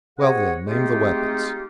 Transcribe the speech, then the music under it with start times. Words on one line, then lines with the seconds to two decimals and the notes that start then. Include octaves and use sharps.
"Well, then, name the weapons."
0.19 C4 G4 G#4 C#5 D#5 F#5
0.67 G#3 A3 C4 D#4 F4 G4